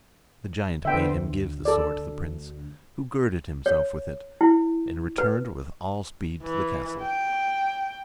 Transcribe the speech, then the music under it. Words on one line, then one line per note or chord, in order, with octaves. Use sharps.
The giant bade him give the sword to the prince, who girded himself with it, and returned with all speed to the castle.
D3 B3 C5 E5 G5
D2
A4 D5
C#5
E4
B4
E3
G5